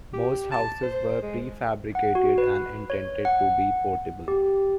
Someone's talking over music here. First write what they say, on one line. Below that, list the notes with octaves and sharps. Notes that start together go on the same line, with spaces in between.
Most houses were prefabricated, and intended to be portable.
G4
A5
C5
G#3
F#5
F#4
B4
C#5
F#5
G4